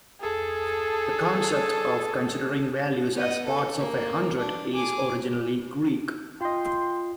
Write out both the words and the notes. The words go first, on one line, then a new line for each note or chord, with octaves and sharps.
The concept of considering values as parts of a hundred is originally Greek.
G#4 A4
B3 D#5
A4
A#3
D4
G#4 D6
F4 D#5 G5 C6